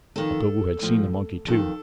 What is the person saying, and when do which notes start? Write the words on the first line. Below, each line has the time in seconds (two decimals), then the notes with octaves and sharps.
Otobu had seen the monkey too.
0.16 F2 D#3 A4
0.81 A2 F3
1.47 F2 D#3 A4